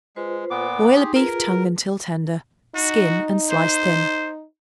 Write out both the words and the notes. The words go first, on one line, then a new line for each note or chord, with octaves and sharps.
Boil a beef tongue until tender; skin and slice thin.
G#3 F4 B4 C5
A#2 B3 D6
D#4 G4 G#4 C6
F4 G#4 A#4 B4
D#4 F#4
C5